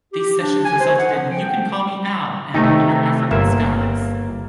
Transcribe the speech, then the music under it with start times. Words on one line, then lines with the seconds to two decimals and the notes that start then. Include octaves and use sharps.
These sessions resulted in "You Can Call Me Al" and "Under African Skies".
0.13 G4
0.40 D4
0.65 G#5
0.79 C5
0.98 F#5
1.13 F3
1.31 G5
2.54 C3 D#3 A3 D#4
3.31 G1 A#3 E5